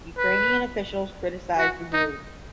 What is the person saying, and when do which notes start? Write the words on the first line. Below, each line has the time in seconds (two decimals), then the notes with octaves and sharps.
Ukrainian officials criticized the move.
0.18 B4
1.58 F#4
1.93 D#4